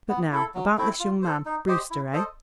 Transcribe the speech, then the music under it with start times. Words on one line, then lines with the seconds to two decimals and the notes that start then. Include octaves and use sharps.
But now about this young man--Brewster--eh?
0.09 B3
0.32 E4 A4
0.55 F#3
0.77 A3 C4 E4
1.00 F4
1.22 A4 C5
1.45 D#4
1.68 G4 C5 D#5
1.91 E4
2.13 A4 C5 D#5